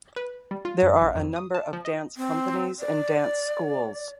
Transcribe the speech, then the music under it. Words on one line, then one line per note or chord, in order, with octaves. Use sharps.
There are a number of dance companies and dance schools.
B4
G3
F4
F#2
A#1
F2
D#6
A5
F3
D#5
C4
D5